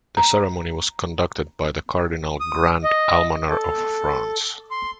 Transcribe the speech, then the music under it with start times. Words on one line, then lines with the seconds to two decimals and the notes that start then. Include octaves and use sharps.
The ceremony was conducted by the Cardinal Grand Almoner of France.
0.17 A#5
2.40 D#6
2.84 D#5
3.50 A4
4.71 C6